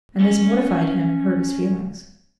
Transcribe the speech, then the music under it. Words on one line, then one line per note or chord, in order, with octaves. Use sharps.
And this mortified him and hurt his feelings.
C#4 C#5